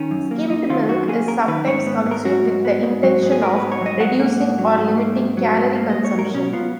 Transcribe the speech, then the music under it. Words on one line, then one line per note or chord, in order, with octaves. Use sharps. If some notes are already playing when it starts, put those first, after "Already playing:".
Skimmed milk is sometimes consumed with the intention of reducing or limiting calorie consumption.
Already playing: D#3 C#4
F#2
A#3
F#2 D#4
D#3 F4
F#2 F#4
A#3 G#4
F#2 A#4
D#3 B4
G#2 C#5
B3
G#2
A#4
F#3 F#4
G#2
B3
G#2
F#3
G#2
G#4
B3 A#4
B4
G#2
C#5
F#3 D#5
G#2 F#5
A#3
F#5
G#2
F#3
G#2
A#3
G#2
F#3
G#2
A#3
D#5
G#2
C#5
F#3 A#4
B2 C#4
B3 F4